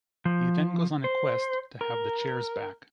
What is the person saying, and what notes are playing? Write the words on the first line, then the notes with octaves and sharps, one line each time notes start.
He then goes on a quest to have the chairs back.
F3
C5
A#4